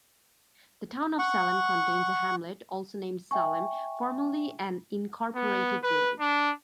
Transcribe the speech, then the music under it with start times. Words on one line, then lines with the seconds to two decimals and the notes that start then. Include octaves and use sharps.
The town of Salem contains a hamlet also named Salem, formerly an incorporated village.
1.19 F#5 C#6
3.31 E5 G5 G#5 C#6
5.35 B3
5.83 B4
6.20 D4